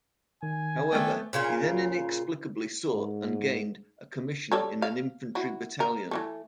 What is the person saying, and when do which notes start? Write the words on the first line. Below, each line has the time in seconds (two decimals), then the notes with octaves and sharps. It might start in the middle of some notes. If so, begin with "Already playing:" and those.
However, he then inexplicably sought and gained a commission in an infantry battalion.
0.43 D#3 G#5
0.92 A3 B3 A4 D5 G5
1.33 A#2 C#3 F4 A#4
2.93 G#2
4.52 G3 A4 C#5
4.82 F5
5.35 E4 F#4
5.80 A#4
6.11 E3 G3 A3